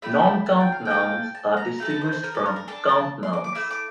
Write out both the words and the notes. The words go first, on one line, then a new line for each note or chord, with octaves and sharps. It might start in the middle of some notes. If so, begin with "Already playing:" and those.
Non-count nouns are distinguished from count nouns.
A3 E4 G4 E5
A5
G5
F5
G5
A#3 F4 A4
A5
A#5
A3 E4 A4 A#5
A5
C5
C5
A#4
A4
A#4
A#4
D4 A4 A5
A5
C6
D6
D6
A3 E4 E6
D6